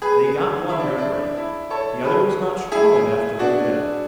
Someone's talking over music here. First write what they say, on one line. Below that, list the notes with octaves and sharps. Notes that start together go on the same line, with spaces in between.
They got one rep ray. The other was not strong enough to hold it up.
G#4 B4
E4
D4
D4
E4
A4 C#5
G#4 B4
E4 G#4
D4 F#4